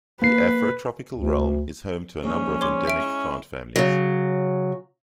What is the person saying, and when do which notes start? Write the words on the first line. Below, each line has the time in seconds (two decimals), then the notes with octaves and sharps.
The Afrotropical realm is home to a number of endemic plant families.
0.22 A#3 B4 C7
1.16 D2
2.23 A#1 G#2 C#4
2.61 C#5 C6 D6
2.87 E5 D7
3.00 G#3 E4
3.76 C#3 F#3